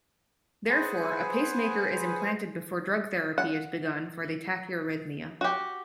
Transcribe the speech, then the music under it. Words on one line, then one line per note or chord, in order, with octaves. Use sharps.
Therefore, a pacemaker is implanted before drug therapy is begun for the tachyarrhythmia.
G#4 B4 C5 F#5 G#5
F#5
F#4 G4